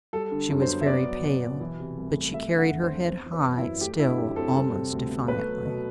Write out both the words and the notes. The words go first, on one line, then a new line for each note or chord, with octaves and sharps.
She was very pale, but she carried her head high still--almost defiantly.
G3 A4
D3
F#2
C5
B3
E5
B3 D5
F#3
B2
B2
E3
C3
C2
A3
A3 E5
D3
F#5
E2
C5
C4
B3 C5
E3
B4
F#2
E4
F#2
A3 G4
D3 E4
F#2 G4
C4 A4
G3
C3
D2
B3
A3 B4
F#3
B2